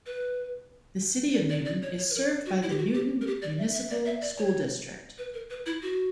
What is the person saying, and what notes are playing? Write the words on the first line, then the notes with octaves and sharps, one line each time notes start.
The City of Newton is served by the Newton Municipal School District.
B4
D5
D5
D5
C#5
C#5
B4
A#4
F#4
E4
G4
F#4
G4
A#4
G4
D5
E5
E5
D5
E5
D5
C#5
B4
A#4
B4
E4
F#4